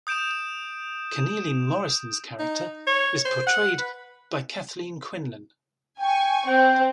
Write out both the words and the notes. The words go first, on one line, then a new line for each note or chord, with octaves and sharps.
Kennealy-Morrison's character is portrayed by Kathleen Quinlan.
D#6 G6 D7 E7
D#4
C#5
C5
F#5
B4
G5 G#5 C#6
C4 G5